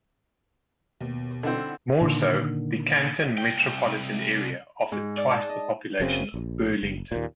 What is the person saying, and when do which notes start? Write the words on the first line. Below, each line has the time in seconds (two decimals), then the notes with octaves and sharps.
More so, the Canton metropolitan area offered twice the population of Burlington.
1.01 D#2 B2
1.43 D3 C4 D#4 E4 F#5
2.01 A#2 D3 D#3
3.38 C2 G5
4.92 G#2
5.17 D5
5.31 A5
5.49 D#5
6.00 F#1 F#2 C#3 C4
6.34 A#1
6.83 F#1
7.12 D#2 A#2